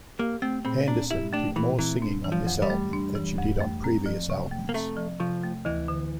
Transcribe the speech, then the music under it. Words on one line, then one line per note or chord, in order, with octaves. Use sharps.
Anderson did more singing on this album than she did on previous albums.
A#3 G4
A3 C4
A#2 C4
C4 D4
E4 G4
A3 D4
A#2 E3
E3 C4
D4
E3
F3
F2
G3
A3
D4
E3
F2
A3
C4
F3
C3
A3
A#3
A3 C4
F3
C3 F3
A3
D2 E3
D3